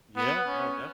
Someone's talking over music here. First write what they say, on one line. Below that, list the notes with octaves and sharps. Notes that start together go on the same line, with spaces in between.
Yeah. No, def
B3
C#4